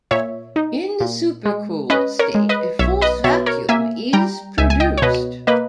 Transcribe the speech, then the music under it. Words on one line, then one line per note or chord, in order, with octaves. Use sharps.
In the supercooled state, a false vacuum is produced.
A#2 C#5 E5
D#4
A#2
G#3
C#4 B4 D#5
A#4 C#5
G#3
B4 D#5
B1 C#5 E5
B4 D#5
B2 C#5 E5
A#4 C#5
A#3 E5 G#5
G3 G5 A#5
C#2 E5 G#5
G#5
D#5 G5
C#5
B2 B4 D#5
A#3 B4 D#5